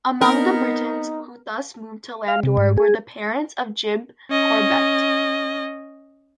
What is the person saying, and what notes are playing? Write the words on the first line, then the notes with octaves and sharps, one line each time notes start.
Among the Britons who thus moved to Landour were the parents of Jim Corbett.
B3 C4 D#4 A#4 D#5
F5
C3
G#2
G#4
C#4 D#5